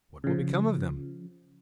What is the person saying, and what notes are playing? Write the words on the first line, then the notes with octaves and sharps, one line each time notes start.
What will become of them?
C#3 F3